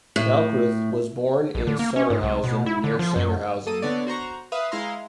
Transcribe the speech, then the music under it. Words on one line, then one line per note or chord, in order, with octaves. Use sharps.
Kalkreuth was born in Sotterhausen near Sangerhausen.
A2
B1
D3
A#3
C#4
G#2
C2
B2
E4
D3
F3
F#2
A#3 A4 D#6 D#7
D3 B3 C#5 D5
F#4 C5 A#5 C#6
B4 E5 F5 D#6
G#3 E4 F5 A#5 C6